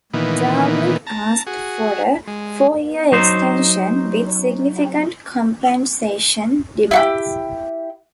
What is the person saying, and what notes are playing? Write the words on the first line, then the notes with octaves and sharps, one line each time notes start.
Dallman asked for a four-year extension with significant compensation demands.
A#2 D#3 E3 B3
A5 A#5
F#4 G#4
G#3
F#3 D#4 C5
E4 F#4 G4